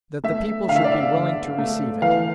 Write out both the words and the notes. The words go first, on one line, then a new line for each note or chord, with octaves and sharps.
That the people should be willing to receive it.
A3 E5
D3 F5
E5
D5
E5
D3
A3
E3 F5